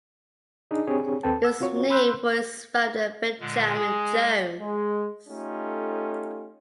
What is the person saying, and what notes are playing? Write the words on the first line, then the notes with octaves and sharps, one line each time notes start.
It was named for its founder, Benjamin Jones.
D4 D#4 G#4
C4 D4 G4 G#4 C#5
D#2 C4 A4 B4 G5 A5
E6
C4 F4 F#4 C#5
B5 C6 E6 F#6 G6
A#2 D3 G#3
G#3 G#4
G#3
A3 C#4 D#4 F4 G4 A4